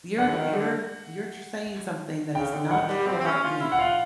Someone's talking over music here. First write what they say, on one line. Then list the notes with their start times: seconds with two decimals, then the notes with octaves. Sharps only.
You're you're you're tr saying something that is not true about me.
0.18 D3 F#5
0.31 E3
0.36 D#3
0.54 D3
2.35 C#3 G5
2.53 D3
2.71 D#3 F#5
2.88 G3
3.07 C4
3.20 C4
3.26 C#4
3.44 F4
3.61 E4
3.72 F#5
3.79 F4 F5